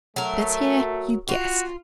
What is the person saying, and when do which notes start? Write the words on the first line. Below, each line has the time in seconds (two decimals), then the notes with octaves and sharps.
Let's hear you guess.
0.16 F#3 A3 A#4
1.29 F4 F#4